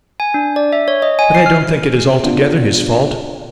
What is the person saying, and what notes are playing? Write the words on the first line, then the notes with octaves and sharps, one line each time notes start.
But I don't think it is altogether his fault.
G#5
D4
D5
E5
C#5
D#5
G#5
C7
F6
B3 D4 F4